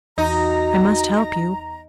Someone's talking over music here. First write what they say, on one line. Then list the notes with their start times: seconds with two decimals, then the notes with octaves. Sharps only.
I must help you.
0.18 E2 D#4 F#4 A#5